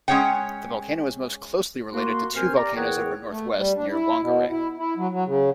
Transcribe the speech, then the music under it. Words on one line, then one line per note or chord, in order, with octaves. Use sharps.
The volcano is most closely related to two volcanoes over northwest, near Whangarei.
G#3 C#4 G#4 C#5 F#5 G5
A#3 F#4 C6
C3 C4 A#4 C5 G#5 F6
G4 D5 A#5
E2 G#4 A#4 C#5 F#5 G5
A3
G3
D4
E4
B2
E4
E4
F#3
F#3
C#3